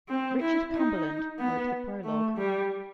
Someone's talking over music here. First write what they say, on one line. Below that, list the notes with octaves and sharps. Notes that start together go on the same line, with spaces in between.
Richard Cumberland wrote the prologue.
C4
E4
D#4
B3
A3
G3